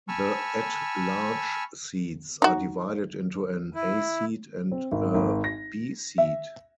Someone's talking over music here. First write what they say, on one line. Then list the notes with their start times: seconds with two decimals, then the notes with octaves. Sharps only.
The at-large seats are divided into an "A" seat and a "B" seat.
0.08 G#5 A5 B5 C#6 E6 F6
2.42 D#4 F#4
3.75 E4
4.72 C4
4.92 G#1
5.14 G#1
5.44 A#6
6.18 E5